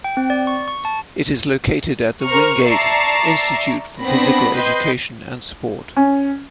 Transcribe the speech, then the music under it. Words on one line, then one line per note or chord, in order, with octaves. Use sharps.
It is located at the Wingate Institute for Physical Education and Sport.
G5
C4
D5
C#6
C#6
A5
A#4 C5 A#5 C#6 F6
D5 E5 A5 A#5 C#6 C7
B3 C4 D4 B5 A#6
C4 B4 D#5 C6 G6 C7
C#4